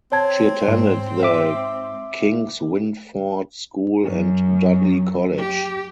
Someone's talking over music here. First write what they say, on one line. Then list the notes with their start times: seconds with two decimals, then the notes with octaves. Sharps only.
She attended The Kingswinford School and Dudley College.
0.12 C4 C#5 A5 G#6
0.68 G#2
1.23 E5 D6
4.04 F#2
5.37 G4